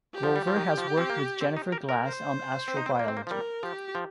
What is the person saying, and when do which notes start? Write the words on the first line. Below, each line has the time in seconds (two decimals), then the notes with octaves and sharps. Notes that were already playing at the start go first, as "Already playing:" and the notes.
Grover has worked with Jennifer Glass on astrobiology.
0.14 G4
0.23 F3
0.36 G3
0.47 F3
0.57 D#3
0.78 F3
0.98 C4
1.10 A#3
1.41 C4
1.57 D#4
1.72 A#4
1.89 A#4
2.04 C5
2.68 C4
2.77 D#4
2.86 C4
2.99 A#3
3.08 C4
3.17 A#3
3.27 F3
3.31 G3 A#4
3.63 F3 G4
3.95 F3